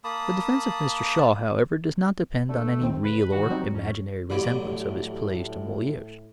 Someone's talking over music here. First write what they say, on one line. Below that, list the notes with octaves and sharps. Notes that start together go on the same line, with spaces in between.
The defence of Mr. Shaw, however, does not depend on any real or imaginary resemblance of his plays to Moliere's.
A#3 A5 B5 D#6
D3 A3
D2 D#3 C4
C#3 B4
G2 D#3 F#4
F#3 G3 C4 D#4
F2 C#4
A1 F#2 A2 G3